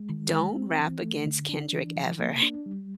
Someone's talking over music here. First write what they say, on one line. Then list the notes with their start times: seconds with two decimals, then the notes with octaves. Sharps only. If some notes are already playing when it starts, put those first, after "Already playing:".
Don't Rap Against Kendrick Ever.
Already playing: G#3
0.09 D#3
0.33 G#3
0.56 C4
0.79 E3
1.02 A3
1.26 D3
1.49 D4
1.73 E3
1.96 F3
2.19 A#3
2.43 D4
2.66 G3